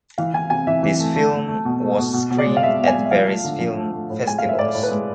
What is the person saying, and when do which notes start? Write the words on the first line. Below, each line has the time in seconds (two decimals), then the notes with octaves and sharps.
This film was screened at various film festivals.
0.18 E3 F5
0.34 E3 G#5
0.50 C3 G#5
0.67 E3 E5
0.83 E3
1.00 A3
1.16 A3
1.32 A3
1.48 A3
1.65 B2
1.81 A3
1.98 B2
2.13 B2
2.30 B2
2.38 D5
2.46 G#3
2.57 F5
2.63 G#3 E5
2.79 B2
2.87 G#5
2.95 G#3
3.05 E5
3.11 F3 F5
3.27 A3
3.44 D3
3.60 F3
3.76 A3
3.93 A3
4.10 A2
4.26 G#3 G#5
4.38 A2 F5
4.49 E5
4.58 A2 D5
4.74 A2
4.83 B4
4.91 G#3